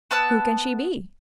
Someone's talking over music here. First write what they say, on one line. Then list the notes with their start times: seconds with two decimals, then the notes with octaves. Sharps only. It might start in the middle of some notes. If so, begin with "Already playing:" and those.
Who can she be?
0.11 B3 A5 E6 F#6